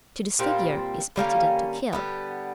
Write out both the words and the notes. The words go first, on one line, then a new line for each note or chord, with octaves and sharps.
To disfigure is better than to kill.
A#2 G3 C4
D3 G3 A#3 C#4
D3 G3 B3